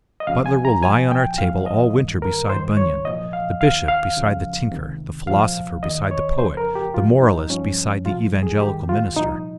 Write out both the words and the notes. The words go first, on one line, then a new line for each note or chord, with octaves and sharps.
Butler will lie on our table all winter beside Bunyan; the bishop beside the tinker, the philosopher beside the poet, the moralist beside the evangelical minister.
D#5
C#2 C#3 F3 F5
G#5
A#5
C2 A#2 F3 G#5
G5
F2 C#3 F3 F5
D#5
G2 D#3
A#4
G2 D#3 C5
C#5
C2 A#2 F3 D#5
F5
D#2 D#3 F5
F5
C#2 C#3 F3
C#2 C3 D#3
C2 A#2 F3 F5
D#2 D#3 D#5
C#5
F2 C#3 F3 C5
A#4
G4
G2 F3 F4
D#4
G2 F3 C#4
C#2 C3 F3 F4
G#4
G2 D#3 G4
F4
C2 A#2 F3 D#4